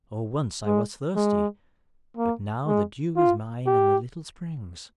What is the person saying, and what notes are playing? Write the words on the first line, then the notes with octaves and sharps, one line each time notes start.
Oh, once I was thirsty; but now the dew is mine and the little springs.
G#3
G#3
A#3
G#3
F4
G4